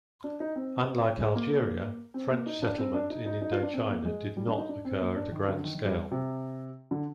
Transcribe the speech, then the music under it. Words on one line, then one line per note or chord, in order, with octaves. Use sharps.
Unlike Algeria, French settlement in Indochina did not occur at a grand scale.
D4
D#4
C4
G#3
A#3
A#3
C4
A#3
D#4
D4
C4
D4
D#4
D#4
D#4
F4
D4
C4
A#3
G#3
G3
D4
D#4
D4
C4
A#3
D4
D#3
D3
D#3
D#3
G3
C3
D3